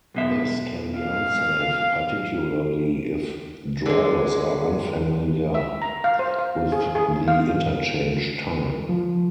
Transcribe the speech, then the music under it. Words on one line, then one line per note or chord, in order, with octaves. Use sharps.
This can be unsafe particularly if drivers are unfamiliar with the interchange type.
B1 B2 E5
F5
D3 G#3
E5
A#5
F5
C5
F5
G#4
G#4
F5
F3